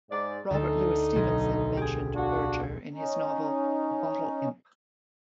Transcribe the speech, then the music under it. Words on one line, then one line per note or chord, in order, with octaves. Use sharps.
Robert Louis Stevenson mentioned Berger in his novel "The Bottle Imp".
G#2 D5
D2 D3 D#4 A4
B1
G4 G#4
D4 F4 F#4
C#4 D#4